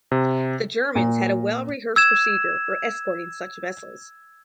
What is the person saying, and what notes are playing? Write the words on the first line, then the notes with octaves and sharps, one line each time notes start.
The Germans had a well-rehearsed procedure for escorting such vessels.
C3
A#2
E6 G#6 E7